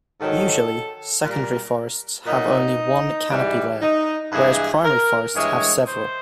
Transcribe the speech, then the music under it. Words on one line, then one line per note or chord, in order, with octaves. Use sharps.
Usually, secondary forests have only one canopy layer, whereas primary forests have several.
G#2 D#3 F#3 A4
A#2 G3 A#4
A#2 F#3 D#4
G#2 E3 G3
D#4
G2 E3 G#3 G#4
A#4
G2 E3 G#3 C#5
C5